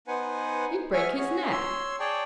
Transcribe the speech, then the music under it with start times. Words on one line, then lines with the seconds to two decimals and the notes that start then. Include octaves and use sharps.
"He'd break his neck."
0.08 B3 D#4 B4 C5 F#5 G#5
0.94 F#4 G#4 E5 G#5 C#6 F6
1.17 C#4 F#4 G#4
1.51 C#5 C6 E6
1.99 G#4 C#5 D5 G5 A5